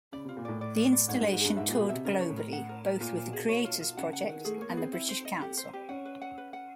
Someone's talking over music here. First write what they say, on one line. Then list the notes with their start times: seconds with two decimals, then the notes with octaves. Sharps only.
The installation toured globally, both with The Creators Project and The British Council.
0.12 C#3 D5
0.25 C3 F4
0.37 A#2
0.45 A2 D5
0.61 D5
0.77 D5
0.93 D5
1.08 G#2 C#5
1.21 G2 G#4
1.32 G#2
1.41 G2 G#4
1.57 G#2 E5
1.69 A#2 G#4
1.80 B2
1.89 C3 E5
2.05 C#3 A#4
2.21 C#5
2.29 A2
2.37 A#4
2.53 F#5
2.69 A#4
2.85 A#4
3.01 A#2 F4
3.17 F4
3.26 B2
3.33 G#4
3.49 C#5
3.65 F4
3.81 F4
3.97 C#3 F#5
4.13 F#5
4.21 D#3
4.29 F#5
4.45 A3 G#4
4.57 A#3 C#5
4.69 B3
4.77 C4 G#4
4.93 E4
5.09 C5
5.25 D#5
5.42 G4
5.58 C5
5.73 G4
5.89 C#4 F#5
6.05 B4
6.22 F#5
6.38 B4
6.53 F#5